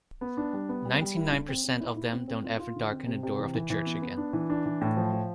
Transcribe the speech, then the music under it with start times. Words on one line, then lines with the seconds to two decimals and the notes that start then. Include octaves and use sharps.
Ninety-nine percent of them don't ever darken the door of the church again.
0.21 B3
0.37 D4
0.53 G3
0.69 B3
0.85 G3
1.01 G3
1.16 E4
1.32 D3
1.49 C4
1.64 C4
1.80 E4
1.96 E4
2.12 C4
2.28 C4
2.44 F4
2.59 F4
2.76 D3
2.91 C4
3.07 C3
3.23 C3
3.39 E3
3.55 E3
3.70 E3
3.86 B3
4.02 B3
4.17 D4
4.33 E3
4.50 D4
4.66 E3
4.81 A2
4.97 F3
5.13 F3